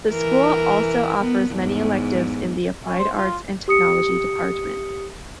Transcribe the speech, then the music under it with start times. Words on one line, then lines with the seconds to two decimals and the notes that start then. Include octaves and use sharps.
The school also offers many electives in the Applied Arts and Technology Department.
0.10 E3 A#4
1.21 B3
1.51 E2 G#2
2.85 C#4
2.99 C5
3.16 F4
3.68 G4 D#6 C#7